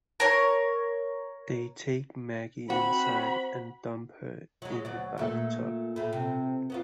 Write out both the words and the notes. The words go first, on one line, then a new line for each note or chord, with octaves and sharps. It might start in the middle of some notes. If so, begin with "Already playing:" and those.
They take Maggie inside and dump her in the bathtub.
A#4 C#5
C4 F#4 B5
F#3 G#3
D2 F#3 D5
A#2 A3
A2 A3
C3
B3 C#4 F4